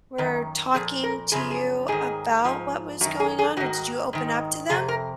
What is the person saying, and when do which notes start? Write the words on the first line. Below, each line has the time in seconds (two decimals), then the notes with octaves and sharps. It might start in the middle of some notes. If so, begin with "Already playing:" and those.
were talking to you about what was going on, or did you open up to them?
0.18 F#2 D#3
0.75 A#2 F3 G#4
1.04 A#4
1.32 F#2 C#3 F3 G#4
1.51 G#4
1.88 G#2 D#3 G#4
2.45 G#2 F3
3.01 F#2 F#4
3.05 D#3
3.20 G#4
3.39 G#4
3.57 G#2 D#3 F#4
4.13 G#2 D#3
4.70 F2 C3 G#4
4.88 A#4